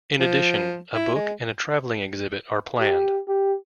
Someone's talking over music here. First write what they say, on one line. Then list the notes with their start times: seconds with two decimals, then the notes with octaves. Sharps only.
In addition, a book and a travelling exhibit are planned.
0.20 F3
0.95 E4
1.16 G#3
2.80 G4
3.28 G4